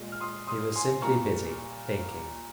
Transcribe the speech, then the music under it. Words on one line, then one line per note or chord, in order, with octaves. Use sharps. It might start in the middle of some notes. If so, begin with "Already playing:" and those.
He was simply busy--thinking.
Already playing: A#2 G#3
F6
C6 D#6
C6 D#6
G#5 C6
A#2 G3 A#3 A#5 C#6